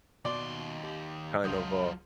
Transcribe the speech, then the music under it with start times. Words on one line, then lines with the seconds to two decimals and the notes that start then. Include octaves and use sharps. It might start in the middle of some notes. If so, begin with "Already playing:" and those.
kind of, uh,
0.25 D#2 B2 D5 C6
0.84 G4
1.44 C#2 F#3 F4 D#6 G6